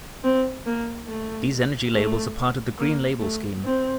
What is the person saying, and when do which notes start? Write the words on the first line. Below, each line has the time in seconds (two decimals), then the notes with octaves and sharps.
These energy labels are part of the Green Label Scheme.
0.24 C4
0.65 A#3
1.08 A3
1.94 A3
2.79 A#3
3.20 A3
3.64 C4